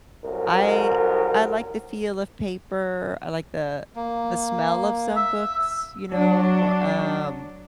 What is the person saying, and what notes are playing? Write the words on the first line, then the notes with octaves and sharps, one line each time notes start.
I I like the feel of paper. I like the the smell of some books, you know, um,
C2 F#2 A4 A#4
A#3
E5 E6
F#3 D4